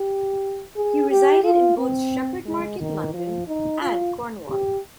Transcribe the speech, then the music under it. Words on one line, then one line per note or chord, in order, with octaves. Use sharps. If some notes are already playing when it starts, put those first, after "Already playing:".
He resided in both Shepherd Market, London and Cornwall.
Already playing: G4
G#4
G4
F4
C4
G#3
D#3
F3
D#4
F4
G4